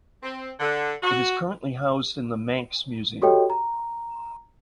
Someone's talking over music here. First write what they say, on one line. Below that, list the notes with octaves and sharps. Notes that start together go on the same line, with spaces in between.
It is currently housed in the Manx Museum.
C4
D3
F#4
F#4 G4 A4 C#5 D#5 G5
A#5